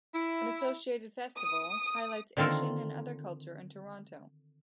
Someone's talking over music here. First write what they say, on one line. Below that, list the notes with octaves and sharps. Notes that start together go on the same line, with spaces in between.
An associated festival highlights Asian and other culture in Toronto.
E4
D#6
D3 D#3 C4 F4 A4 A#4